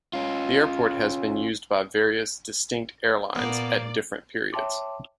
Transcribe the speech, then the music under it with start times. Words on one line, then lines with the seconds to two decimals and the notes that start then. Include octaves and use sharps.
The airport has been used by various distinct airlines at different periods.
0.13 C#4 F4
3.35 A#2 A#3 B3 D5
4.53 C#5 E5 G5 A5 C6 D6